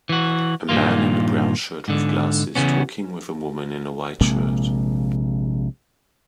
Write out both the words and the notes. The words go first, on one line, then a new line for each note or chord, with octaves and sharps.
A man in a brown shirt with glasses talking with a woman in a white shirt.
E3 F#4
G2 A#2 D#3 A#3 F4
G#2 D3
C#3 E3 B3 C#4
A#1 C3 G#3 A#3